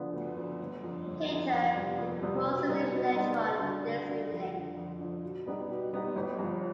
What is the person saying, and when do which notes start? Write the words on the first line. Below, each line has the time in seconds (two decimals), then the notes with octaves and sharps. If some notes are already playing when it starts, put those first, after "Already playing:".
Later, he proposed the name "electron" for this unit.
Already playing: D2 D3 F3 B3 D4
0.13 D2
0.37 D3 F3 B3 D4
0.60 G1
0.83 F2 D3
1.07 G1
1.30 F2 D3
1.53 F2
1.76 C3 G3 B3
1.98 F2
2.22 C3 G3 B3
2.45 B2
2.68 G3 B3 D#4
2.91 B2
3.15 G3 B3 D#4
3.38 D2
3.61 D3 G3
3.83 D2
4.08 D3 G3
4.31 F2
4.53 D3 F3
4.77 F2
5.00 D3 F3
5.23 B2
5.46 G3 B3 D#4 G4
5.69 B2
5.93 G3 B3 D#4 G4
6.16 G1
6.39 G2 F3